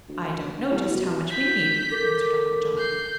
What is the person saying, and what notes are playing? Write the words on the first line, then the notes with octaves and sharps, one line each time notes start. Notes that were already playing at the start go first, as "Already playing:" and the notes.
"I don't know just how much we need," answered Uncle John.
D2
C2
B2
G6 B6
A4 A#4 D6
G6 C7